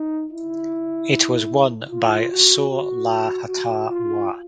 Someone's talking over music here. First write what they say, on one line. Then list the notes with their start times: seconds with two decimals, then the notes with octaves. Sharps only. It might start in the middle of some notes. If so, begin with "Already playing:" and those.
It was won by Saw Lah Htaw Wah.
Already playing: D#4
0.33 E4
1.91 F4
2.31 F#4
2.70 F#4
3.49 F#4
3.89 F4